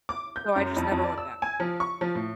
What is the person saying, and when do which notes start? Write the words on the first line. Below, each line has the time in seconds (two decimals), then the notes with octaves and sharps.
so I just never went back.
0.09 D6
0.36 G6
0.56 F#2
0.77 F2
0.91 F2
1.04 D5
1.18 E6
1.42 G#5
1.60 F3
1.80 C#6
2.01 F3
2.15 A2